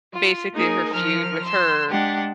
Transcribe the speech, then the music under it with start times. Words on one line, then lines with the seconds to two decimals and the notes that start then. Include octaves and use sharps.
basically her feud with her
0.14 F4
0.53 A#3 D#4 G#4 A#4
0.92 F3 A#4 F6
1.43 C6 E6
1.89 G#3 D4 G4 F#5